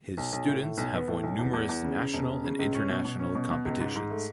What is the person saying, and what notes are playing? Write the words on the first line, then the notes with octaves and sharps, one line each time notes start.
His students have won numerous national and international competitions.
B1
B1
A2
A2
B1
B3
A2
B1
E2
E2
E2
C#3
C#3
E1
C#3
C#3
C#2
C#4
B2
B2
C#4
B2
B2
C#2
G#2
G#2
A3